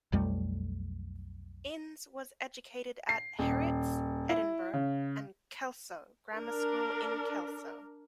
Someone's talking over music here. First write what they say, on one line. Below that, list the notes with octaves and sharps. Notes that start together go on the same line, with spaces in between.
Innes was educated at Heriot's, Edinburgh, and Kelso Grammar School in Kelso.
B1 F2 G3 A3
C7
D#1
E4
C#3
D4 A#4